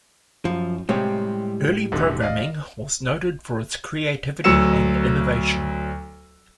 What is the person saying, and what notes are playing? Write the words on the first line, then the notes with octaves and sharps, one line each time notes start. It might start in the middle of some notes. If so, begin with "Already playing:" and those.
Early programming was noted for its creativity and innovation.
F#2 F3
A2 C3 G3 G#3 C4 C#5
D#1 B1 F#2 D3
D5 D#5 F5
D2 F#3 E6 C#7 E7